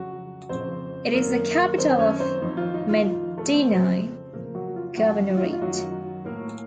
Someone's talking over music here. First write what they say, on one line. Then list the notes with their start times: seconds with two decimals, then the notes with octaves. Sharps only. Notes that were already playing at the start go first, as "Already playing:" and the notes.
It is the capital of Medenine Governorate.
Already playing: F2 C#3 F#3 F#4
0.49 F2 C#3 C4 C5
1.14 F#2 D#3 A#3 A#4
1.78 F#2 D#3 C4 C5
1.99 C#4 C#5
2.20 C4 C5
2.42 F2 D#3 D#4
2.57 F4
2.74 D#4
2.89 F4
3.05 F2 D#3 F4
3.37 A3 A4
3.53 C4 C5
3.69 F2 C#3 C4 C5
4.33 F2 C#3 A#3 A#4
4.55 F#3 F#4
4.76 F4
4.97 F#2 D#3 F#3 F#4
5.30 F#4
5.37 F4
5.45 D#4
5.53 F4
5.61 F#2 D#3 F#3 F#4
6.25 A2 A#3 A#4